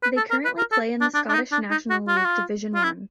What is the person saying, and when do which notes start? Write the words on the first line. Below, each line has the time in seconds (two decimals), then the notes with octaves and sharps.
They currently play in the Scottish National League Division One.
0.03 B4
0.17 A4
0.31 A#4
0.45 B4
0.58 A#4
0.72 A4
1.01 D4
1.15 D4
1.29 D4
1.34 D#4
1.52 D4
1.71 D#4
1.90 F#4
2.08 F4
2.17 F#4
2.25 F4
2.75 F4
2.83 E4